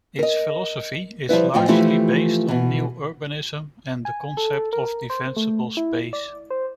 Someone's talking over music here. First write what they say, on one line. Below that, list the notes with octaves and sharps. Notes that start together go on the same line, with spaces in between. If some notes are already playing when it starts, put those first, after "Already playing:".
Its philosophy is largely based on New Urbanism and the concept of Defensible space.
A#4 D#5
F3 G3 E4 B4
F2 A2 F3 F4 G5
E3 F3 A3 E4 F4 G4
B2 E3
G#5
A4
A#4
C5
A3
E4
D5
C5